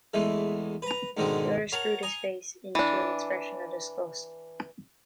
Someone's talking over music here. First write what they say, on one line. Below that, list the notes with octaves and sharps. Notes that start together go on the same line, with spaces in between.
The other screwed his face into an expression of disgust.
E2 E3 G#3 A3
B4 A#5
G#2 B2 D3 D#3 G#3 C4
A#4 C#5 F#5 A5
G#5 A#5 D#6
E3 D4